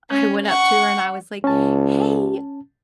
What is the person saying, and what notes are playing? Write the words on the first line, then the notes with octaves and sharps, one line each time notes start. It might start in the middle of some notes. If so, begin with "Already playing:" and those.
I went up to her, and I was like, "Hey,
C#4
F#5 C#6
C#2 C#4 A5